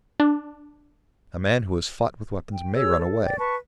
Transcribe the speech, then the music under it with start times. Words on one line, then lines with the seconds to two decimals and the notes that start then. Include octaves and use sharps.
A man who has fought with weapons may run away.
0.20 D4
2.52 G5
2.75 G#4 C#5 E6
2.97 A4
3.25 D5 G5
3.39 B4 A5 C#6